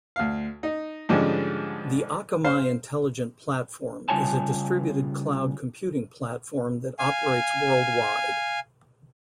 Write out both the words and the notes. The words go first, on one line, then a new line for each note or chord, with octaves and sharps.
The Akamai Intelligent Platform is a distributed cloud computing platform that operates worldwide.
D2 F5
D#4
G#2 D3 F3 G3 G#3 C#4
C5 F5
C#3 G3 F4 C#5 G#5 A5
F5 G#5